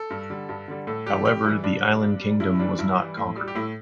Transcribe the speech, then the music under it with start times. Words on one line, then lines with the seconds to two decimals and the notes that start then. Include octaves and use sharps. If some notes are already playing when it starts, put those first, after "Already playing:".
However, the island kingdom was not conquered.
Already playing: A4
0.10 G2
0.30 D3 G3
0.49 G2
0.68 D3 G3
0.87 A2 A4
1.06 E3 G3 G4
1.25 A2 G4
1.44 E3 G3 E4
1.64 G2 D4
1.83 G3
2.02 G2
2.21 G3
2.40 G2 E4
2.59 E3 G3 D4
2.79 G2 E4
2.98 E3 G3
3.17 A2
3.36 G3
3.48 G4
3.55 A2 E4